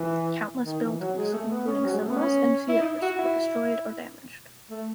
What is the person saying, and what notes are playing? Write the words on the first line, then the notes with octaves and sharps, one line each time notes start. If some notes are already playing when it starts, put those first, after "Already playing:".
Countless buildings including cinemas and theaters were destroyed or damaged.
Already playing: E3
D#3
E3
F#3
G#3
A3
B3
C#4
F#3
G#3
A3
B3
C#4
E4
D#4
E4
F#4
E4
A3